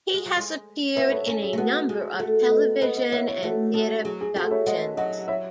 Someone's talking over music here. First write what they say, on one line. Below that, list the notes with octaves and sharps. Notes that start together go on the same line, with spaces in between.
He has appeared in a number of television and theatre productions.
G#3
F#3
G#3
B3 C#5 E5
A4 C#5
C#4 A4 C#5
G#4
A3
B3 F#4 A4
G#3 G#4
A3 F#4
B4 D#5
B3 B4 D#5
B4 D#5
B3 C#5 E5
C#5 E5
A3 F#4 A4
G#3 F#4 A4
F#3 G#4
G#4
A3 F#4 A4
C#5 E5
G#3 D#5 F#5
F#3 D#5 F#5
C#5 E5